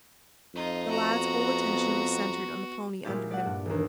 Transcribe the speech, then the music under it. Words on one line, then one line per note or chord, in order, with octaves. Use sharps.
The lad's whole attention was centered on the pony under him.
F2 D#4 F4
B3 F#4 A#5
A#2 G#3 E4 F4 G4
D5 F#5
G2
E1 D#2